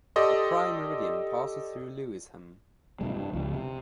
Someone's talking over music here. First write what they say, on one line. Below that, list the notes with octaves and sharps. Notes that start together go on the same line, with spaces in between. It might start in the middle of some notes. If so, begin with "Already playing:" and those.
The Prime Meridian passes through Lewisham.
G4 A4 D5 D#5 C6
G2 C3 G#3
G2
C#2 F3
C3